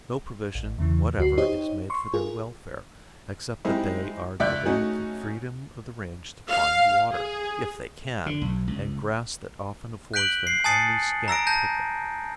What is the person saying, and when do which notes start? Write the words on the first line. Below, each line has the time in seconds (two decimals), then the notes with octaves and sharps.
No provision whatever is made for their welfare, except that they are given the freedom of the range to find water, if they can, and grass that often affords them only scant picking.
0.55 A1
0.78 E2 C#3 E3
1.18 D2 F#4 C7
1.38 D#4 G4 C5 C#5 D#5
1.90 C6 C#6
2.14 F4 G#4 A#4
3.65 G3 G#3 C4 D#4 E4
4.40 C#2 D5 E5 F#6 G6
4.65 A3 C#4 D#4 F#4 G#4
6.50 F5
7.12 G#4
8.26 D3
8.41 B1
8.68 C#2
10.14 F#6 G6 B6 D7 F#7 G7
10.47 C7
10.64 G#5 A5 D#6 A6 C7 C#7
11.28 A#5 E6 A#6 D7
11.47 A5 G6 A#6